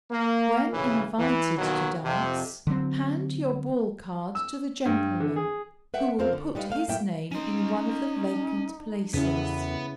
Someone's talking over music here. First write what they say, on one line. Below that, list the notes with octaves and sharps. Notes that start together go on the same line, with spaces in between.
When invited to dance, hand your ball card to the gentleman, who will put his name in one of the vacant places.
A#3
B1 A2 C#3 E3
E3
D#2 B2 D#3 F#3
F2 C3
D3 F#3 C4
E6
G2
D3
G#4
B4 E5 F#5 G5
E2 F3 C4 A#4 C5 F5
D3
G3 G#3 D#4 B4 F5
A3 F5
A2 F#3 A#3 E5 G5
C#4 D#4 C6
E2 C#3 B3 C#4 E4